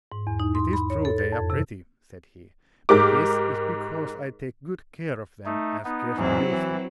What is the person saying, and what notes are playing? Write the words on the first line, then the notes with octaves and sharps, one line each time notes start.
"It is true they are pretty," said he, "but this is because I take good care of them and scarcely use them."
G#2
E2
D#4
C6
B5
C#5
A4
A6
F2
C3
G#2 G4 A#4 D6
A3 D#4
B3 D#4
E2 G#2 E3 F#3 C4 E4
E3